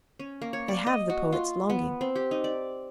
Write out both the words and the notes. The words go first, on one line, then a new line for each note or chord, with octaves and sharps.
I have the poet's longing.
C#4
A#3
C#5
D5
D#5
F#4
F4
B3
C4
G4
D#4
D5